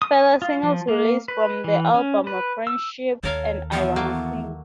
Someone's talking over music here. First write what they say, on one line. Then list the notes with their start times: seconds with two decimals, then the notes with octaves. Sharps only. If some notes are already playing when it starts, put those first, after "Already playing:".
Further singles released from the album were "Friendship" and "I Wanna Sing".
0.02 D#6
0.42 F4
0.63 F3
0.88 A#3
1.28 B4
1.64 E3
1.94 C#4
2.27 B4
2.67 E6
3.23 D#2 A4 A#4 C#5 F5
3.72 B2 E3 F3 B3 E5
3.96 F#3 A3 A#3